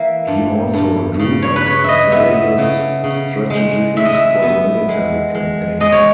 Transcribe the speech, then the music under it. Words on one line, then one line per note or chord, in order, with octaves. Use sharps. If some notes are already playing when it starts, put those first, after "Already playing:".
He also drew up various strategies for the military campaign.
Already playing: E3 A#3 E5
G2
G2
C#3
C#5
B4
C#3 C#5
D#5 E5
B3 E5
C#3
C#3
G#3
G#3 E5
D#5
E5
B3
G#3
G#3
G#3 D#5
C#5